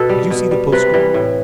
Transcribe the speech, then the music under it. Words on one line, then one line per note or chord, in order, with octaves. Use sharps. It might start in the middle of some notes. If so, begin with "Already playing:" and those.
"Did you see the postscript?"
Already playing: B2 A4 B4
G3
B2
G3
C3 B4
E3 G3
A2